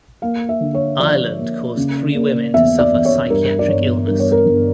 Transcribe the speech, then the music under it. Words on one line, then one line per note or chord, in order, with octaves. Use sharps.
Ireland caused three women to suffer psychiatric illness.
A#3 F5
E5
D3
C#5
F3 D5
A#3
C#3
A#3
E2 E5
D5
E2
C#5
G2 A#4
D5
G1 C#5
G2 A#4
C#5
A#4
G1